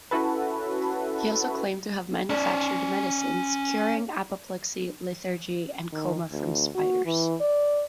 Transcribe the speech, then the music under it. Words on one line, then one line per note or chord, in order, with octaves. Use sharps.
He also claimed to have manufactured medicines curing apoplexy, lethargy and coma from spiders.
C#4 E4 F#4 A4 B4
C#4 D5
D#3
D2
F#4
E3
D5